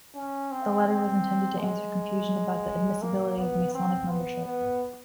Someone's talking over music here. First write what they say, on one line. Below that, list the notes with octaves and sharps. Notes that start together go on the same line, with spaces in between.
The letter was intended to answer confusion about the admissibility of Masonic membership.
C#4
C4
C4
G#3
A#3
B3
C4
B3
B3